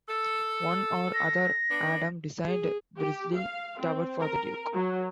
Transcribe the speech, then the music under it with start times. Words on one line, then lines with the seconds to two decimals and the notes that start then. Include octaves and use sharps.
One or other Adam designed Brizlee Tower for the duke.
0.08 A4
1.14 A#6
1.70 B3 D4
2.47 G#4
2.98 G4
3.35 F5
3.79 C4
4.20 A#4
4.73 F#3